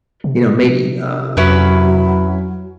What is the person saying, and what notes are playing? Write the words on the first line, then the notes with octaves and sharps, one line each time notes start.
you know, maybe, um,
C3
F2 F#3 C#4 E4 B4